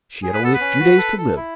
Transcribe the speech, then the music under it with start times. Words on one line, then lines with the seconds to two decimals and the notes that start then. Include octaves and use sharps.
She had only a few days to live.
0.23 G#4
0.34 B4
0.42 B3 A4
0.55 B4
0.61 C#4
0.80 F#4
0.98 A4
1.18 A4
1.37 E4